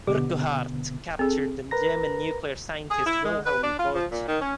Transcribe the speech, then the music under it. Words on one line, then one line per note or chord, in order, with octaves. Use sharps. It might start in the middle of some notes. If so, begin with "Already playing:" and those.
Urquhart captured the German nuclear scientist Wilhelm Groth.
B2 D3 B3 G4
C4 G#4 A4
A#4 B4 A#5 A#6
G#4
E4
G#3
B4
D4
F4
F3
A#2
D#3
C#4